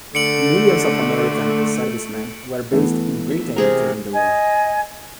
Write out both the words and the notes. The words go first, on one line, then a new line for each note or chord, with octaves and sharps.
Millions of American servicemen were based in Britain during the war.
D3 A3 C#7 D7 F#7
E3 A3 B3
E5
C3 G#4 A#4
D#5 G#5